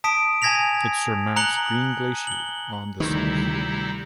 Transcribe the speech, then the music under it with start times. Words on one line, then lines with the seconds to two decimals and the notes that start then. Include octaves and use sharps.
It surmounts Green Glacier on the south.
0.04 A5 D#6 B6 D7
0.42 G#5 A5 G#6 A#6 B6 F7
1.36 A#5 F#6 C#7 F#7 G7
2.27 F#7 G7
3.00 D2 C3 D#3 G3 D#4 E4